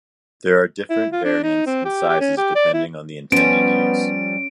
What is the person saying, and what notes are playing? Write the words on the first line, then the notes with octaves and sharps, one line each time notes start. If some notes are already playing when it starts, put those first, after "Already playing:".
There are different variants and sizes depending on the intended use.
E4
F4
D4
D#4
C4
G4
G4
C#4
G4
D5
E4
F3 G3 B3 C#4 D7